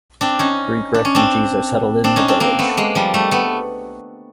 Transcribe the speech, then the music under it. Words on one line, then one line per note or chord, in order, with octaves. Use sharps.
Greek refugees are settled in the village.
C4 D4
C#4 D#4
D4
C#4
C4 D4
C4 D4
C#4 D#4
C4 D4
A#3 C4
A3 B3
G#3 A#3
F3 G3
G3 A3
A3 B3